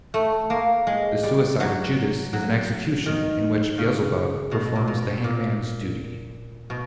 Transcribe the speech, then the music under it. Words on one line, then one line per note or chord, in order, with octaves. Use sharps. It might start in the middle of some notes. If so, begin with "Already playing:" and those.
The suicide of Judas is an execution, in which Beelzebub performs the hangman's duty.
A3
A#3
G#3
G3
F#3
F#3
D#3
C#3
B2
A#2
B2
A#2
B2